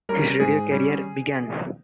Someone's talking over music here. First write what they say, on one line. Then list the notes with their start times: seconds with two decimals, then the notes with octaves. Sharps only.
His radio career began.
0.09 G3 C#4 A#4
0.40 G#2 G#4
0.71 G3 C#4